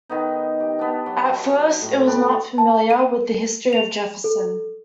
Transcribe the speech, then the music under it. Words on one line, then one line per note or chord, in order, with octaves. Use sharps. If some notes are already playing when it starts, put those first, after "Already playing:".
At first, it was not familiar with the history of Jefferson.
D#3 B3 D#4
G4
B3 D4
F#3
A2
C4 D4 B5
A5
D#7
F7
A4